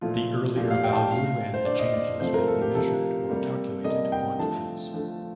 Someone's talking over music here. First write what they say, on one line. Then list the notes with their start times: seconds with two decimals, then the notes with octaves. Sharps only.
The earlier value and the changes may be measured or calculated quantities.
0.01 A#2 F3 A3 F4
0.56 A#2 F3 A3 G4
0.70 F5
0.84 G5
0.93 A5
0.97 G5
1.11 D3 A3 F5
1.54 C5
1.65 D3 A3 D5
1.79 D#5
1.93 D5
2.20 C3 F3 A3 C5
2.34 A#4
2.47 A4
2.61 G4
2.75 C3 F3 A3 A4
3.30 C3 G3 A#3
3.84 C3 G3 A#3 D#5
4.12 G5
4.39 D3 F3 A3 A5
4.93 D3 F3 A3